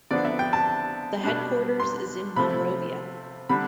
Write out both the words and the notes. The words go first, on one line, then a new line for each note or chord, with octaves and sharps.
The headquarters is in Monrovia.
D3 F3 B3 D4 D5
E5
G5
A5
B2 G3 D4
C6
C3 F3 A3 B5
D3 G3 D4 B5